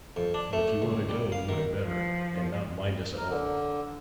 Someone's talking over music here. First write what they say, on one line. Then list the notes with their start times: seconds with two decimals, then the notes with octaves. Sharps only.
But if you want to go you had better, and not mind us at all!'
0.16 F2
0.34 D4
0.53 A3
0.82 C#2
1.09 G3
1.32 F5
1.49 D#3
1.83 F3
3.17 A#4
3.29 D3